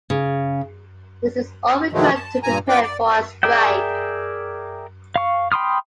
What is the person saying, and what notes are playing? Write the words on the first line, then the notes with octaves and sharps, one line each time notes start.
This is all required to prepare for a strike.
C#3
B2 D#3 F3 F#3 G#3 A3
A5
G2 A#2 G#5 A#5
F4 B4 D5 G5 D6
D5
G#4 A#4 D5 E5 G5
F5 C#6
G5 B5 C6 D#6 F6